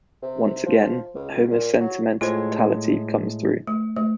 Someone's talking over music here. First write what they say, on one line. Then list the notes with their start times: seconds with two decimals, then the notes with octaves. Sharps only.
Once again, Homer's sentimentality comes through.
0.22 C3
0.66 F3
1.15 C#2
1.50 A#2
1.80 F#3
2.21 A2 G#3 F4 C5
3.67 A3
3.96 A3